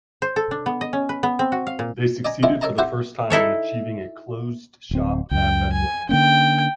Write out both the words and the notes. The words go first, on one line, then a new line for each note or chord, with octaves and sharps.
They succeeded for the first time in achieving a closed shop at Bethlehem.
C5
A4
D4
B3
D#5
C#4
B4
B3
C4
F#4
F5
A#2
D5 D#5 G#5 A#5
G#3 A3 B3 D4 E4 F4
A4 A#4 C#5 D#5 A5 A#5
C4 E4 F#4 G4 C5 F#5
D#4 E4 A4 C#5
D1 C4
C#2 F#2 G5
G#5
D3 A#3 C#4 G5